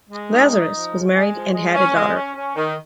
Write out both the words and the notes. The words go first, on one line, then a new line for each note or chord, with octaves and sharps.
Lazarus was married and had a daughter.
G#3
D#4
D#4
F3
G#3
G#3
F3
G#3
C#4
G#3
C#4
C#4
D#3